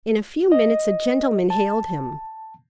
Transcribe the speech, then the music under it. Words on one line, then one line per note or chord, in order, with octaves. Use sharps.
In a few minutes a gentleman hailed him.
D#5
A5